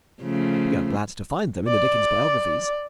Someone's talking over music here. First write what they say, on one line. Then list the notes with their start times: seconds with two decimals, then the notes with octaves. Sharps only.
We are glad to find them in the Dickens biographies.
0.22 C#3 F3 A3
1.67 D5